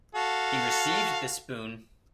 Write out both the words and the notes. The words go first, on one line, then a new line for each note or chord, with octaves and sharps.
He received this boon.
F#4 A4 F5